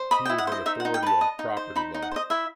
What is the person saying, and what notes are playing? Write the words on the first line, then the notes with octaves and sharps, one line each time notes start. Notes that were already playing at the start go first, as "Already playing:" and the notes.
He is an authority on Property Law.
Already playing: C5
D#5 B5
G5
E4
F#5
C5 D#5
D#4 E5
F#5
D#4
G5
B4 A5
D#5
D#4
C5
D#4 B5
D#4
F#5
C5 D#5
E4 E5